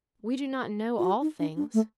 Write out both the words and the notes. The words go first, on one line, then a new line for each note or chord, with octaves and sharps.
We do not know all things.
F4
F#4
D#4
D4
D4
A3